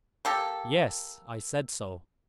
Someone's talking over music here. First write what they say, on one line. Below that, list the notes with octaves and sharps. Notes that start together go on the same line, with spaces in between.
"Yes, I said so."
A#3 G4 A4